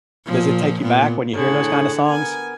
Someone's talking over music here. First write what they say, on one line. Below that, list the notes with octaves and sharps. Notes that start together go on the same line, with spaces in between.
Does it take you back when you hear those kinda songs?
A#2 F3
A#2 B3
A2 D3 G#4 C#5 F#5
B3 A#4 G#5